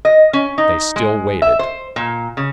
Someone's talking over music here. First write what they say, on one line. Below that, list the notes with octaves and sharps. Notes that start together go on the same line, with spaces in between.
They still waited.
D#5
C#4
D#4
G#3
E5
C5
A#2
C#3